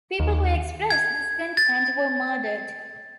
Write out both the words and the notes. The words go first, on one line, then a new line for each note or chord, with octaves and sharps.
People who expressed discontent were murdered.
D#2
G#6
A6